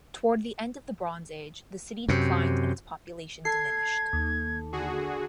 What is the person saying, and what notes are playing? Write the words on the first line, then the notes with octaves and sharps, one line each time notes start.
Toward the end of the Bronze Age, the city declined and its population diminished.
F#2 C3
A4 G#6 C7
D#2
D3 F#4 G#4